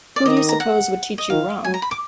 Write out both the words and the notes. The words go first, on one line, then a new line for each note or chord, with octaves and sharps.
Who do you suppose would teach you wrong?
D5
D#3 D#5
D#5
A#5
F#5
D#5
D#3 F5
F#3 G#5
A#5
B5
D6